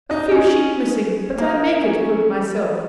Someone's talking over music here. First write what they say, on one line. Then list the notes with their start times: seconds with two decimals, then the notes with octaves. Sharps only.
A few sheep missing; but I make it good myself.
0.11 D#4
0.31 C#4
1.38 A#3
1.82 C#4